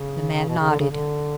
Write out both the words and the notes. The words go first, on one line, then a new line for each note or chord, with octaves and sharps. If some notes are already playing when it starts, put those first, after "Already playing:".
The man nodded.
Already playing: C#3
B2
C#3
D3
C#3
D3